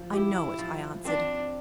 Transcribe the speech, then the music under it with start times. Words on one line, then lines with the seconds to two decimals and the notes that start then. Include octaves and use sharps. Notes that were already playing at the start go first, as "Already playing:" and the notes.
'I know it,' I answered.
Already playing: F3
0.13 E4 G4
0.59 F3
1.05 C4 D4